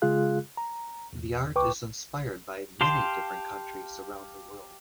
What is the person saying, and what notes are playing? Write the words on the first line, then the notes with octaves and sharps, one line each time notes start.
The art is inspired by many different countries around the world.
C#3 G#3 F4 G#4 F5 F#6
A#5
E2
C#2 B4 G5 C#6 D6
G4 F5 G5 A5 C6